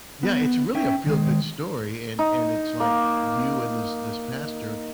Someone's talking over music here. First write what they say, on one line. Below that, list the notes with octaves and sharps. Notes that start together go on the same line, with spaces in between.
Yeah, it's really a feel-good story, and and it's like you and this this pastor,
B3
C#4 E5 G5
D#3 G#3
D#4
A#3